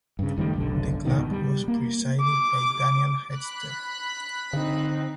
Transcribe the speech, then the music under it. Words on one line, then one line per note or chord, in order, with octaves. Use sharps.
The club was presided by Daniel Hechter.
G2 C#3
F#1 D#3 G3 A3
F#1 B1 D3
D2 G#2 B2 D#3
G3
A#3
D6
B5 F#6
D3 C4 D#4